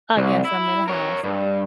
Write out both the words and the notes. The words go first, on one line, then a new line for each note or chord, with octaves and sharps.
Uh, yes, I'm in a house.
C2
E4
A#4 C#5
G2